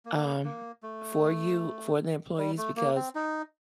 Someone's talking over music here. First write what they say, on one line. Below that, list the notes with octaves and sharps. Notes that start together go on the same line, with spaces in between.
um, for you, for the employees, because
A#3
A#3
A3
G3
A3
A#3
C4
D#4